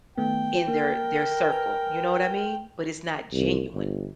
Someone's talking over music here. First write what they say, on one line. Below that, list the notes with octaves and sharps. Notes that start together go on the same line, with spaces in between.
in their their circle, you know what I mean? But it's not genuine.
D#3 A3 B3 G5
A#3 A#4
B4 G#5 F6
C2
G1